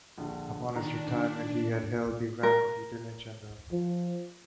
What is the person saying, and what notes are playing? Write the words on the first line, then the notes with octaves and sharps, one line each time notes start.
Upon his retirement he held the rank of Lieutenant General.
A#1 D3
D#3 D4 A#5
A#4
F3